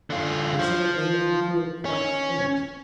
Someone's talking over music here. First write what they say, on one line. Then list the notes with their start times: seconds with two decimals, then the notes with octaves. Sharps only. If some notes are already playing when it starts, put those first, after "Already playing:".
They said it made them feel quite faint.
0.10 D3 F4
0.59 F3
1.85 C#4